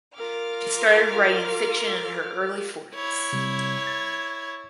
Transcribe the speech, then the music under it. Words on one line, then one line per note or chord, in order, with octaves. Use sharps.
She started writing fiction in her early forties.
F4 A#4 D6 F6
E4 C#5
C3 G3
G#6 A6